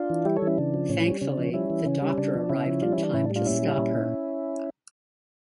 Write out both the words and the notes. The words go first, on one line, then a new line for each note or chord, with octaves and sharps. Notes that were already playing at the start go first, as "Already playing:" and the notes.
Thankfully, the Doctor arrived in time to stop her.
Already playing: D4 F4
E3
G3 E4 G4
A4 C#5
E3 C#4 E4
C#3 D4
F3
A2 C#4
G3
C#3 C#4
D4
F3 C#4
G3 C#4 E4
E3
C#3 C#4
G3
C#3 D4
F3
C#3 C#4 E4
F3
G3 D4 F4
C#4 E4
E3
D4
A2 C#4 E4
D4
G3
D4 F4
A#2 C#4 E4
G3
A#2